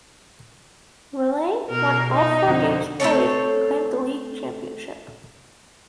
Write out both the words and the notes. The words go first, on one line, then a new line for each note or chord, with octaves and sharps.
Raleigh won all four games played and claimed the league championship.
B2 A#4
D#4
F2 D3
A3 C4 A4 C#5